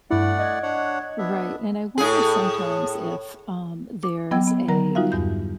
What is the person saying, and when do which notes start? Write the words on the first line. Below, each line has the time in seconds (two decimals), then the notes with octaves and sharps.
Right, and I wonder sometimes if, um, there's a
0.10 G2 A3 E4 D5 F#5
0.39 D#5 G#6
0.63 D4 C#5 F#5
1.18 B3 D4 E5
1.98 A2 G#4
4.03 D6
4.31 F#3 B3 D#5 G5 E6 G#6
4.47 B3
4.69 D3 F#3 A#4 A#5
4.95 G3 D#4 F4 F#4 E5 F5
5.12 E2 G2 G6